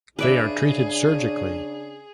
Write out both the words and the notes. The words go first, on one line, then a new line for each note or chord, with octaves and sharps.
They are treated surgically.
C#3 D4 G#4 B4 D5 E5